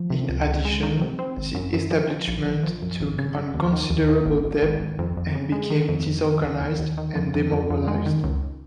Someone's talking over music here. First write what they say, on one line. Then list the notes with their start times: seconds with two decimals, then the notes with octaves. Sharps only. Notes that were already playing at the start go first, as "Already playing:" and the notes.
In addition, the establishment took on considerable debt and became disorganized and demoralized.
Already playing: F3
0.10 C3
0.29 C#2
0.47 C#2
0.65 G#3
0.83 D#3
1.01 C3
1.19 C4
1.37 G#1
1.54 F#2
1.73 F#2
1.91 F3
2.10 F3
2.28 A#1
2.45 A#1
2.63 F3
2.82 F#2
3.00 G#1
3.18 C#3
3.36 F#2
3.54 D#2
3.73 D#3
3.90 D#2
4.09 A#3
4.26 G#1
4.44 G#1
4.62 G#1
4.80 G#1
4.99 F2
5.17 F2
5.35 C#3
5.52 G#3
5.70 D#3
5.89 F2
6.07 F2
6.24 D#3
6.43 D#2
6.61 D#2
6.79 D#2
6.97 D#3
7.15 F2
7.34 F2
7.52 F2
7.70 F2
7.87 G#3
8.06 D#3
8.24 C#2